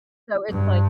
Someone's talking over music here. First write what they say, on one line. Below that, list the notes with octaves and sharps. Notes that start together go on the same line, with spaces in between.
So, it's like
G2